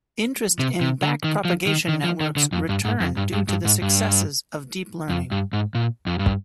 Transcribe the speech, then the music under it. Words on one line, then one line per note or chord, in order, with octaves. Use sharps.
Interest in backpropagation networks returned due to the successes of deep learning.
C3
C3
D3
D#3
F3
D#3
D#3
F3
D#3
D3
F2
G2
G#2
F2
G2
G2
G2
G#2
G2
F2
G2
G#2
A#2
F2
G2